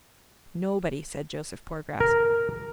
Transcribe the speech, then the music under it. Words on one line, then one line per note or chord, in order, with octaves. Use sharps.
"Nobody," said Joseph Poorgrass.
A#4